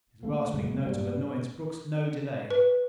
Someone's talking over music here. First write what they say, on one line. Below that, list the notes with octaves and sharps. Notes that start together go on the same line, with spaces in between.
His rasping note of annoyance brooked no delay.
D3 A3 A#3
F#2 C#3 G#3
G2 G3 A#3
B4